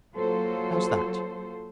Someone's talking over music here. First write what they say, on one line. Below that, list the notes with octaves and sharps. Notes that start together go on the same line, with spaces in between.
How's that?
F#3 A#3 F4 A4 C5